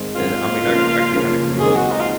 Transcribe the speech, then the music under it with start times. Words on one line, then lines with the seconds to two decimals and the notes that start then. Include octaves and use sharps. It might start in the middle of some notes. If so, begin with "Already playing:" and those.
and I mean, I I kinda grew up
Already playing: G#2 D#3 G#3 C4
0.15 G#2 D#3 G#3 C4 F4
0.63 C#2 C#3 F3 A#3 C#4
1.12 C#2 C#3 F3 A#3 C#4
1.59 D#2 D#3 G#3 C4 D#4 G#4
1.76 F#4
1.92 D#4
2.00 F4